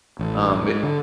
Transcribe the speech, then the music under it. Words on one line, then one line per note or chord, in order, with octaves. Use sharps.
Um, i
A1
G#2
D3